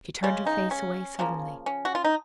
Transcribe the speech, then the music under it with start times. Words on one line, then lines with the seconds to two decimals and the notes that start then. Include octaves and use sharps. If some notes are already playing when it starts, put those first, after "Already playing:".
She turned her face away suddenly.
0.23 C#3 G#3 C#4
0.46 D#4
0.71 C#4
1.19 C#3 F3 A#3
1.66 C#4
1.85 F#4
1.95 F4
2.05 D#4